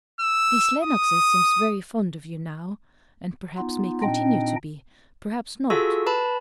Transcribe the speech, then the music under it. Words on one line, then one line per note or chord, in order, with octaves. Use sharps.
These Lennoxes seem very fond of you now; and perhaps may continue to be; perhaps not.
E6
D#6
B3 D#4 F4
A#2 C4 D4 D#4 D#5 G5
F4 F#4 G#4 A4 C#6 E6
B4 A5 B5